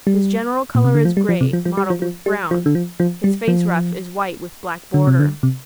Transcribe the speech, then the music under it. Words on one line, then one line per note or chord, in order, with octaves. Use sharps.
His general color is gray, mottled with brown. His face ruff is white with black border.
G3
A#2
C3
D3
F3
G3
F3
C3
F3
F3
G3
F3
F3
G3
F3
D3
F3
F3
G3
F3
D3
C3
D3
C3